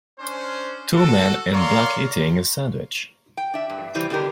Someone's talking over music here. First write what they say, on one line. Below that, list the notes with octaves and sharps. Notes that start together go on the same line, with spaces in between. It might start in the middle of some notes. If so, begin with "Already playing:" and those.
Two men in black eating a sandwich.
C#4 D4 C5
F#4 A4
A#4 C#5 D5 F5 A#5 C6
G5
D4 E5
G2
C3 E3 G3 C4
B2 D3 D4 G4 A#4